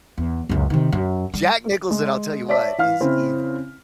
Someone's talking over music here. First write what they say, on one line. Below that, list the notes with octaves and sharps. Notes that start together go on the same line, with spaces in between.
Jack Nicholson, I'll tell you what, is evil.
E2
C#2 F#2
C3 D#3
F#2
G3
G#3
C#5 D5 E5 A5 B6
E3 F5 F6
C#3 C4 C#4 E4